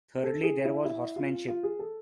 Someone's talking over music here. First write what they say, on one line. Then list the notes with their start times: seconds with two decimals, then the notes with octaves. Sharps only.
Thirdly there was horsemanship.
0.23 A4
0.43 G#4
0.65 E4
0.85 E4
1.16 F4
1.48 F4
1.63 G#4
1.79 A4